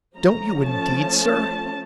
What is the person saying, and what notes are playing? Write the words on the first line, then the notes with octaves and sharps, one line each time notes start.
'Don't you, indeed, sir?'
F3 A3 C#4 A#5
A5
A5